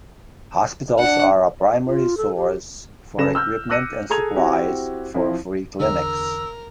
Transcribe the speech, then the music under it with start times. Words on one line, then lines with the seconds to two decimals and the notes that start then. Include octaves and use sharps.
Hospitals are a primary source for equipment and supplies for free clinics.
0.99 D4 F#5
1.87 F4
2.17 A4
2.36 G4
3.18 F#1 C#3 A4 B4 A#6 E7
3.35 E6 F6 G6
3.70 D6 E6 F#6 A#6 C#7 D#7
4.10 G#4 A4 A#5 G#6 F7
4.36 C4 E4 F#4 G4
5.14 F3 C4 E4
5.80 E2 D3 A#4 E6